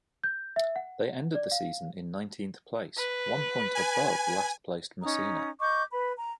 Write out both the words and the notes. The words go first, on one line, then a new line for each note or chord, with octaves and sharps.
They ended the season in nineteenth place, one point above last-placed Messina.
G6
E5
F#5
D5
F5
B4
G#5
C#4 D#4 A#5 D#6
D#5 C#6 D6 G6
B4 B5
A#5